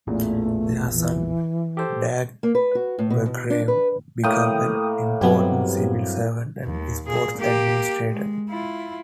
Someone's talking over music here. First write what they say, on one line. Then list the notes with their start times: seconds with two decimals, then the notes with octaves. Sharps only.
Their son Dag Berggrav became an important civil servant and sports administrator.
0.07 A1 E2 A#2 A3
0.93 E3
1.77 G4 A4 C5
2.43 A#3
2.55 B4
2.75 F#4
2.99 A2
3.10 B2
3.26 B2
3.50 D4
3.68 B4
4.24 A2 A3 A#3 G5 D#6
5.21 G2 F#3 B3 C4 G4
6.64 D#2
7.07 A#2 G#4
7.39 A#3 G4
8.11 G#3
8.50 E4 F4